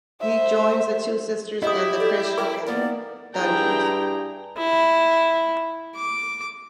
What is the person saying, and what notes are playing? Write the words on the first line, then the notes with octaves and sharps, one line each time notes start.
He joins the two sisters and the Christian in the dungeons.
C5 E5
E4 G4 D#5 D#6
A4 D5
A#4 G5 D6
A#3 B3 A#4 D5
G2 E4 G#4 G5 A#5
E4
D6